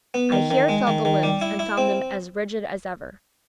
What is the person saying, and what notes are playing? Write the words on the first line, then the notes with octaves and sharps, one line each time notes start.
I here felt the limbs and found them as rigid as ever.
B3
D#3
D#3
G#3
D#3
D#3
G3
E4
E4
C4